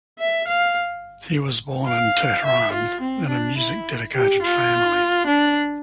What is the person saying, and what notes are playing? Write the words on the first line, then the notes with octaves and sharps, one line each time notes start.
He was born in Tehran in a music-dedicated family.
E5
F5
F5
E5
F4
C4
D4
E4
G4
F4
D4